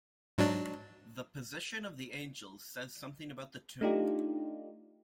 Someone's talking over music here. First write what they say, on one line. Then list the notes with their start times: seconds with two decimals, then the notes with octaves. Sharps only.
The position of the angels says something about the tomb.
0.38 G#2 F#3 D4
3.81 A3 D4 D#4 F4 G4